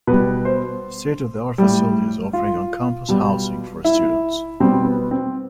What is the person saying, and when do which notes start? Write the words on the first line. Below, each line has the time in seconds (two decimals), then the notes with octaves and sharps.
State of the art facilities offering on-campus housing for students.
0.07 B2 G3 B4
0.45 C5
1.58 A2 G3
2.33 F4
3.09 B2 G3
3.85 E4
4.60 B2 G3 C4
4.85 B3
5.11 C4